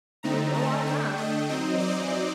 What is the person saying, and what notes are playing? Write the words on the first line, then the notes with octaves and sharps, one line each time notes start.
"Oh, no, I can't!" the bunny said.
D3 A3 C4 D#4 A#5
A5
D3 A3 D4 G5
D#5
F#3 C4 D#4 D#5
D5